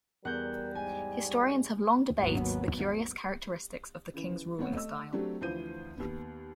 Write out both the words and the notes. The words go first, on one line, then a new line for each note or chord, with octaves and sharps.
Historians have long debates the curious characteristics of the king's ruling style.
E2 G3 A#4 F#5 G6
G#2 G#5
G#1 D#2 F#3 B3
C#3 E3
B1 B3 C4 C#5 F#5
A3 D#5 E6
F#3 A3 C4 D4 G4
D2 E3 F3 C5 G6 D#7
D#2 B3